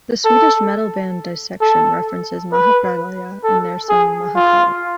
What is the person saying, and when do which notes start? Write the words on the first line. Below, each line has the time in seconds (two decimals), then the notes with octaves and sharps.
The Swedish metal band, Dissection, references "Mahapralaya" in their song, "Maha Kali".
0.25 A4
1.61 A4
2.52 B4
3.44 A4
3.89 G#4
4.36 F4